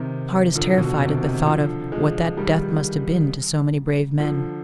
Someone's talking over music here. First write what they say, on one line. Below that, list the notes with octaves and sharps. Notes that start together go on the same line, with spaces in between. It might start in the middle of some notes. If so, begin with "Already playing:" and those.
The heart is terrified at the thought of what that death must have been to so many brave men.
Already playing: C3 D#3
D3 F3
B2 D3
C3 D#3
C3 D#3
D3 F3
F3 G#3
D#3 G3
D3 F3